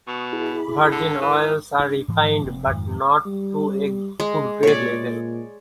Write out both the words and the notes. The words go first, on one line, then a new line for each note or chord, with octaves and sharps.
Virgin oils are refined, but not to a food-grade level.
B2 C#6 D#6
E4 G#4 B5
D3
E3 A#4
D4
G#2 E3
F1 C4
F2 G#2 D#3 F3
G3
G#3
A#2 C#5 D5